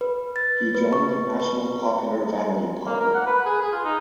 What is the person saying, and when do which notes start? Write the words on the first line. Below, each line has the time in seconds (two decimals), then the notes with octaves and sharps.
He joined the National Popular Rally party.
0.01 B4
0.36 A6
0.75 B4
0.93 C#6
1.40 B4
2.86 A#3
3.00 A#4
3.15 F#5
3.26 B4
3.46 G#4
3.61 G#4
3.72 F4
3.85 D#4